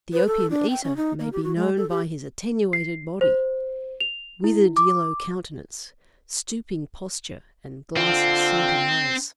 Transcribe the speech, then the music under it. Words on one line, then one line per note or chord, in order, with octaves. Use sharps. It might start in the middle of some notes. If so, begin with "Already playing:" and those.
The opium-eater may be known by his attenuated body, withered yellow countenance, stooping posture, and glassy, sunken eyes.
B4
A4
D4
G5
C#4
D#4
A#3
G4
F#4
G#3
A4
G4
C7
C5
F7
E4
D6
D3 C4 F4